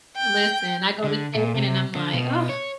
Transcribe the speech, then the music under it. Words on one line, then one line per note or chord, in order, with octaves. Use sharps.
Listen, I go to shaping and I'm like, "Oh,"
G5
D3
A#2
C3
D3
B2
C#5